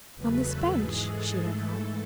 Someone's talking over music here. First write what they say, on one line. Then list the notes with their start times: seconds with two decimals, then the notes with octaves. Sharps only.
"On this bench?" she went on.
0.15 E2 C#3 F#3 A3 B4
0.44 A4
0.75 G#2 E3 G#3 G#4
1.05 A4
1.35 G#2 E3 A3
1.66 A4